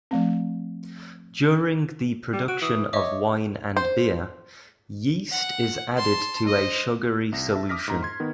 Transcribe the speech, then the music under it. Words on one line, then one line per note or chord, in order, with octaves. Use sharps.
During the production of wine and beer, yeast is added to a sugary solution.
F3 A3 C4
G3
F#4 D7
E3 D#6 E6 F#7
C#5 D#5 E5 D6
C5
F#5
A5 C6
C5 D#5
C2 A#6
E5 A5
D6 D#6 F6 A#6 B6
G#2 A#5
C6 G#6
D#3 B3